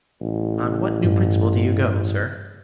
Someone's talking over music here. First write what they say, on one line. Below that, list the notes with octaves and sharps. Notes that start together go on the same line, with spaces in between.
"On what new principle do you go, sir?"
A1
G2